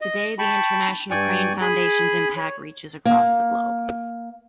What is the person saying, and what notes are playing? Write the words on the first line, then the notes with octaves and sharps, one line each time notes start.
Today, the International Crane Foundation's impact reaches across the globe.
D#5
G5 A5 B5 C#6
G2 D5 G5 G#5 C#6
G#4 G#5 B5
C#5
A#3